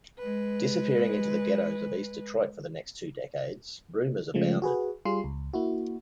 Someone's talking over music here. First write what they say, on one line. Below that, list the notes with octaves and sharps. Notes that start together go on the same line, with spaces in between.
Disappearing into the ghettos of East Detroit for the next two decades, rumors abounded.
G#3 B4
C#3 F3 G#3 A3
F#4 G#4 B4
G3 F4 G#4 C6 C7
C#2
A#3 E4 F#4